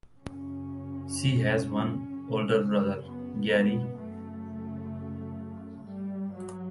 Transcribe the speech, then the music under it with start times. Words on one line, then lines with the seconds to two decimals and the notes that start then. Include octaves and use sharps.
She has one older brother, Gary.
0.19 F#2 C#3 C#4
2.08 F#2 C#3
3.02 B3
3.49 B3
3.96 F#2 C#3 A3
5.85 G2 G3
6.33 F#3